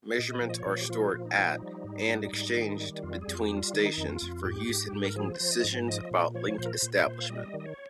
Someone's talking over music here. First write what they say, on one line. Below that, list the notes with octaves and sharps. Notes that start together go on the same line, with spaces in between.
Measurements are stored at-and exchanged between-stations, for use in making decisions about link establishment.
A#2 D#5
F3
D#5
C#5
A#2
G4
F3 F4
A#2
D#4
F3
G3
G#2
G3
G#2
D#3
G3
F2 F4
G#4
F2
F4
G4
G3
F4
D#3 D#4
F2
F4
F2
G#2 G4
G#2
G#2
A#4
F3 G#4
C5
F3
D#5
G#2
F3 D#5
A#2
F3 C#5
A#2 C5
A#4
C5
A#2
C5
A#2
F5
G3 D#5
D#3
D#5
C#5